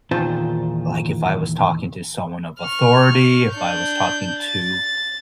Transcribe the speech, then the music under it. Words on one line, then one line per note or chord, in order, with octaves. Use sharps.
like, if I was talking to someone of authority, if I was talking to
E2 A#2 D#3 F4 C5 A5
C#6 F6
D4 G6
A6